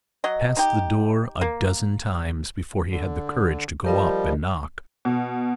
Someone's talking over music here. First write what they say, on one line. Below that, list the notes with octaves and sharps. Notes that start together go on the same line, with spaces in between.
He passed the door a dozen times, before he had the courage to go up and knock.
F#3 D#5
D#4 G4
A#3
D3
F3 G3 G4 A#4 D#5
B2